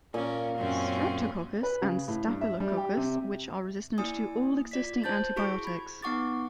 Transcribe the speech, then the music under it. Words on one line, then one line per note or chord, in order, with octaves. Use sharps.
Streptococcus and Staphylococcus which are resistant to all existing antibiotics.
A#2 C#4 A#4
F#2 C4 C#4
B4
C#3
A2
G2
E5
G3
G4
C3
A#3 E4 D5 G#5 D#6
F4 D5 B6
C5 A5 G6 A6
E4 F#4 G#4 C#6 D7
B5 G#6
B3 D#4 F#5 C#6 D6 A6